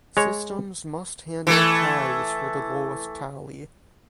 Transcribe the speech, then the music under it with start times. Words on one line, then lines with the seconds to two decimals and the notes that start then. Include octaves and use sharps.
Systems must handle ties for the lowest tally.
0.17 G#3 C#5
1.47 E3 A3